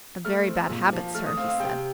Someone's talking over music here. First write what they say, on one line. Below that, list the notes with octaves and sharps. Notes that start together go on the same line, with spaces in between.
"A very bad habit, sir," he said.
A3 F6
C4
A#2
F3
A3 F6
D#6
C4 F5
F5
C3 G5